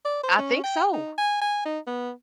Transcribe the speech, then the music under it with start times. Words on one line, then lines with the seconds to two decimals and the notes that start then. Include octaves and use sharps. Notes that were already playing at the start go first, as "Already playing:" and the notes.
I think so.
0.05 D5
0.23 C5
0.38 C#4
0.64 G5
0.93 D#4
1.18 G#5
1.41 G#5
1.65 D#4
1.87 B3